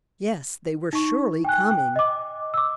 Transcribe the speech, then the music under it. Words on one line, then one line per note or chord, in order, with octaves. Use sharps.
Yes, they were surely coming!
D#4 C#6
G5 G#5 F#6
G5
D#5 D6
D6 E6